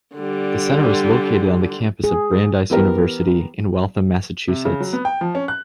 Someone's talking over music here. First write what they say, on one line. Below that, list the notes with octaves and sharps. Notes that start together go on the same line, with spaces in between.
The Center is located on the campus of Brandeis University in Waltham, Massachusetts.
D3 G3
G#4
E3 B3 G4 A#4
C3
C#3
F#3
B3
G5
F3
C#4
F#6